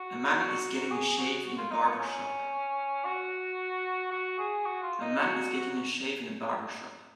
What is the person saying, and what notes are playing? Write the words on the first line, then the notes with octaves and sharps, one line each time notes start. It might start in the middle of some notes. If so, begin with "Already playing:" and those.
A man is getting a shave in a barber shop.
Already playing: F#4
F#4
G#4
F#4
F4
D#4
B3
C#4
F#4
F#4
G#4
F#4
F4
D#4
F#4